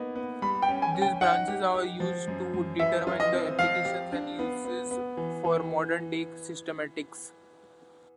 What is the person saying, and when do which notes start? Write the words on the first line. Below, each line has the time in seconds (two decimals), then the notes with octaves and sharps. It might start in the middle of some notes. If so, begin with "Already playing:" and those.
These branches are used to determine the applications and uses for modern day systematics.
Already playing: A#3 B3 D#4
0.16 B3
0.42 G3 B5
0.62 G5
0.68 C#4
0.82 G#5
0.95 C#4
1.02 G5
1.21 D#4 F#5
1.48 G4
1.74 G4
2.00 F3
2.28 F#2
2.54 F#2
2.79 E3 E5
3.07 F4
3.20 D#5
3.33 C4
3.59 F3 F5
3.85 G4
4.12 D4
4.39 B3
4.65 B3
4.91 B3
5.17 E3
5.45 E3